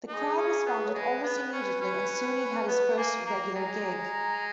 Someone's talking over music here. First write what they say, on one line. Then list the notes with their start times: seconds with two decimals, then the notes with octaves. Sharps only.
The crowd responded almost immediately and soon he had his first regular gig.
0.09 D#4 G#4
0.38 C#4
0.66 B3
0.86 C#5
0.94 G#3 B4
1.23 B3
1.53 C#4
1.81 C#4
2.68 B3 B4
2.97 A#3 G#5
3.26 A#3 A#5
3.55 G#3 A#5
3.98 A#5